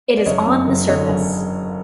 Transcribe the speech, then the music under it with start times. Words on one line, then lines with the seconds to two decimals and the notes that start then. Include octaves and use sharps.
It is on the surface.
0.17 D5
0.26 F#1 C#5 D#5
0.46 F#2
0.67 F#1
0.88 D3 C#5 D#5
1.09 F#1